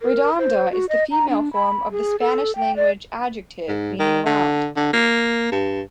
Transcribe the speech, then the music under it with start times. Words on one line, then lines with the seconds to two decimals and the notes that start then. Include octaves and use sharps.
"Redonda" is the female form of the Spanish language adjective meaning "round".
0.02 A#4
0.39 C5
0.72 F#4
0.89 D#5
1.11 A#5
1.29 D4
1.53 B5
1.91 G#4
2.20 A4
2.56 G5
2.76 D5
3.68 G#2
3.99 D#3
4.26 D3
4.76 D3
4.93 A#3
5.52 G2